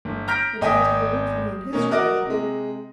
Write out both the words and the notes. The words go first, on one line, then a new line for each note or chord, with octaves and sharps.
And he has no room for me in his trade.
G1
A#5 F6 G6 A#6 B6 D7
G#1 D#5 G5 G#5 D#6 B6
B2 A#3 C#4
F#4 A#4 D5 D#5
C3 G#3